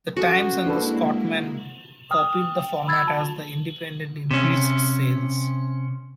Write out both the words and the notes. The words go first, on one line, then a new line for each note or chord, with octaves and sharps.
"The Times" and "The Scotsman" copied the format as "The Independent" increased sales.
C#4 F#4 G#4 A4 C5
G#3 A#3 D4 E4 A4 B4
G5 D#6 F6
G5
B5 E6 G#6 A6
A5
C3 C#4